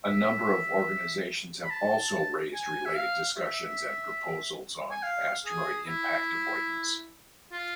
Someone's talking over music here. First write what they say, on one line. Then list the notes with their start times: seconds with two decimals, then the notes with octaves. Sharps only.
A number of organizations have also raised related discussions and proposals on asteroid-impact avoidance.
0.05 E5
1.63 B5
1.70 A5
2.54 G#5
2.86 E5
2.96 F5
3.37 E5
4.91 G#5
5.03 F5
5.45 G#4
5.87 E4
7.52 F4